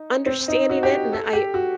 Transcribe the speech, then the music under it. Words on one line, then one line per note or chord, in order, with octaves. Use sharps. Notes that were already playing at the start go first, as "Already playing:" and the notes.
Understanding it and I
Already playing: D#4
C4
D#4
F#4
G4
A4
G4
F#4